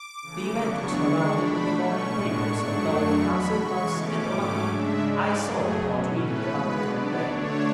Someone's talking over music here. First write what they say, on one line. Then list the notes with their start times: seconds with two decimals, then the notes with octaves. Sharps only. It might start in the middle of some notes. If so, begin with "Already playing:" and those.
The event was heralded in the morning papers of both Council Bluffs and Omaha; I saw Pod reading about it on the way.
Already playing: D6
0.22 C#3 E3 A3
0.59 E2 C#3 F#3 B3 D4 C#6
0.95 D3 G#3 D4 C#6
1.32 B2 A3 D4 B5
1.69 B2 A3 C#4 C#6
2.06 A2 G#3 B3 D4 C#6
2.42 G#2 F#3 A3 D4
2.79 F#2 C#3 F#3 A3 D4
3.16 E2 B2 F#3 B5
3.53 C#3 E3 G#3 C#6
3.90 B2 A3 C#4 D6
4.27 G#2 F#3 A3 C#4
4.63 C#3 G#3 D4 E5
4.99 G#2 G#3 C#4 D5
5.36 F#2 C#3 F#3 A3 G#4
5.74 B2 F#3 C#4
6.10 A2 E3 A3 C#4 B4
6.47 B2 G#3 B3
6.83 B2 F#3 B3 D4 D5
7.20 D3 A3 D4 C#5